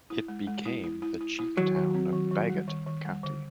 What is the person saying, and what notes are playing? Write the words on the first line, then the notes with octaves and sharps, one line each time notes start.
It became the chief town of Bagot County.
E4
G#3
G#3
E4
E4
E4
E4
E4
D#3 F#3
D#3
C4
D#3
D#3
G3
D#3
D#3
G3
D3